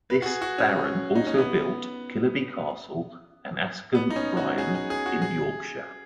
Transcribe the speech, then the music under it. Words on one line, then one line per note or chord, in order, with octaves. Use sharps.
This baron also built Killerby Castle and Askham Bryan in Yorkshire.
B4
F#4
G#4
F#4
C#4
D#4
C#4
B3
B3
D#4
C#4
F#4
G#4
G#4
G#4
F#4
G#4